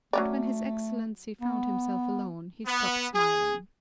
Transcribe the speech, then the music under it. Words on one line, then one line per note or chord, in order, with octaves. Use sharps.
But when his Excellency found himself alone he stopped smiling.
F#3 A3 C#4 D5
B3
B3
G#4